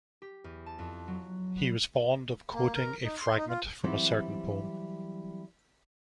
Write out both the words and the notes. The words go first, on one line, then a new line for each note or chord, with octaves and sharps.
He was fond of quoting a fragment from a certain poem.
G4
E2
A5
F2
F#3
B3
A#3
A#4
D#4
C6
D#4
F4
E3 F#3 G3 C4 E4